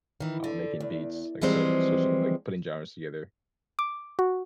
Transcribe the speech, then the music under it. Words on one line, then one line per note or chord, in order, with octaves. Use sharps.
um, making beats, like, I said, switching like, putting genres together.
D#3 E3
D3
E2
E3 F3 G3 G#3 C4 C5
D6
F#4